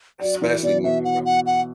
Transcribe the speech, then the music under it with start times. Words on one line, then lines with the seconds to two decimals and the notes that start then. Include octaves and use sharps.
Especially women, bro.
0.21 F#3 D5
0.42 E3 D5
0.62 B2 D5
0.84 B2 E5
1.05 F#5
1.25 F#5
1.46 F#5